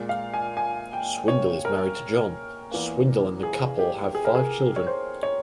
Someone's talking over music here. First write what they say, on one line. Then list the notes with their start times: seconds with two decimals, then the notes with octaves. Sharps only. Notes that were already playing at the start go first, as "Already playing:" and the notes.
Swindle is married to Jon Swindle and the couple have five children.
Already playing: A#2 G#3
0.09 F5
0.34 G#5
0.57 G#5
0.93 G5
1.28 C#5
1.65 A#4
2.71 E2 E3 A#3
3.43 G#4
3.79 G4
4.15 G#4
4.25 A#4
4.35 G#4
4.76 C#5
4.87 C5
5.23 C#5